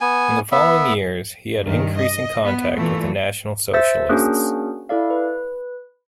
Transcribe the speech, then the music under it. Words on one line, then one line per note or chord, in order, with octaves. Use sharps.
In the following years he had increasing contact with the National Socialists.
B3 G#5
B3 E5
G2 D#3
D#5
B3
A#2 E3 A3
C5 E5 E6 A6
A#3 C#4 D4 F#4 G#4 A#4
E4 A4 D5 F5
B4